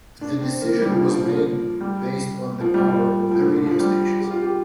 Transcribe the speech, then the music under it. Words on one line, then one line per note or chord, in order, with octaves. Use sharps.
The decision was made based on the power of the radio stations.
D4
C4
A#3
A#3
G3
F3
D3
F3
F3
A#3
G3
F3
G3
F3
F3
D3
D3
F3
G3
G4
F4
G4